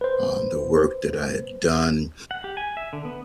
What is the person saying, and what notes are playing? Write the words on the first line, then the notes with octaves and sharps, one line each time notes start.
uh, the work that I had done.
B4 C5
F#5
G4
G#5
E5
D3
B3